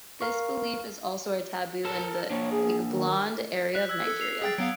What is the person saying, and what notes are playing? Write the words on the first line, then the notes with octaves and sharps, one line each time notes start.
This belief is also a taboo in the Igboland area of Nigeria.
A#4 F5 C#6
A4 A#4 A5
A#3 D4 C#5
G#4
D#3
F#6 B6
E6 F#6 G#6
A4
C7 F7
G#4 G5 A6
F#3 B3 F5 D7